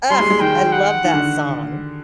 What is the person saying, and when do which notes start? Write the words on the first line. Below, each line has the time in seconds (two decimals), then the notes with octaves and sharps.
Ugh! I love that song.
0.10 G3 C6
0.20 G#3
0.30 G#3
0.41 D#3 G5
0.72 F#5
1.04 D#3
1.14 D3